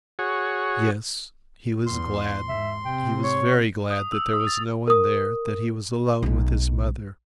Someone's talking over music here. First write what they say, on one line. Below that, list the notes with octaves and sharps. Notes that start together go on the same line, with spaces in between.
Yes, he was glad, he was very glad that there was no one there, that he was alone with his mother.
F#4 G#4 C#5
E2 C6
G#2 E5
C3 G5
C#5 C#6
D#6
E6
D#6
A6
A#4 D#6
B1 G#3